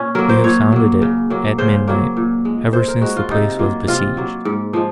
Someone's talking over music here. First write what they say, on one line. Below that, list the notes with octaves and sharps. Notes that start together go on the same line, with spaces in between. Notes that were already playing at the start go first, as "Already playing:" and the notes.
We have sounded it, at midnight, ever since the place was besieged.'
Already playing: A#2 C#4
F#3 A#3 A#4
C5
A#2 C#5
F#3 A#3
C#3
F#3 A#3
C#3 C5
F#3 A#3
A#2
G#3
A#2 C5
A#4
G#3 F#4
F4
C3 D#4
F#3 A#3 F4
C3 F4
F#3 A#3
G#2
F3 G#3